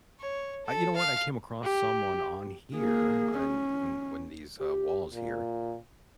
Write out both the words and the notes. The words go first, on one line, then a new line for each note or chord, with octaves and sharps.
I you know what, I came across someone on here, and and when these uh, walls here
C#5
A4
F5
G4
A#3 G#4
C#4
G4
A#2